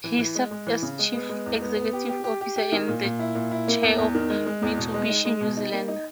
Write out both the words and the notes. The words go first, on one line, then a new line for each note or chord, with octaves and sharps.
He served as chief executive officer and then chair of Mitsubishi New Zealand.
E3
E3
G#3
G#3
E3
C#3
G#3
B3
G#3
E2
B3
B3
G4
G4
G4
G4
G4
D#3
A#2
A#2
E4
A#2
E4
A#3
E2
E2
D#3
G#3
G#3
E2
B2
G#3
D#4
G#3
B2
D#4
A#3
D#4